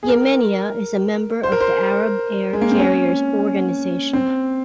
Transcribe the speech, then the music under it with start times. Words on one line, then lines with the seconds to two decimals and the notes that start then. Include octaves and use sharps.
Yemenia is a member of the Arab Air Carriers Organization.
0.03 G#4
0.08 A#4
1.43 C5
1.52 A#4
1.60 C5
2.53 G#3
2.62 A#3
2.71 C4
2.79 C#4
4.13 C4